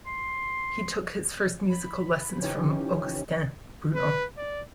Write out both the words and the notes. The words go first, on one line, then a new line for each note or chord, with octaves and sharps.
He took his first musical lessons from Augustin Bruno.
C6
B5
C#3 E3 F3 C#4 D#4 G4
B4
D5